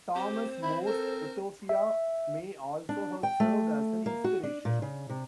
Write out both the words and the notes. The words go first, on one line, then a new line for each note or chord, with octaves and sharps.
Thomas More's "Utopia" may also have served as an inspiration.
C4 G4 C5
E4 B5
A4 A#4
E5
D4
G5
A3
A#3
F#4
D4
A#2
C#3
C3